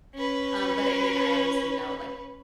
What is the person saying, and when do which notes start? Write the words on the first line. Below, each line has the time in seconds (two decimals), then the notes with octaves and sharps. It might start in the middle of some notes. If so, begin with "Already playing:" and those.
Um, but I mean, I obviously know, like,
0.14 C#4 B4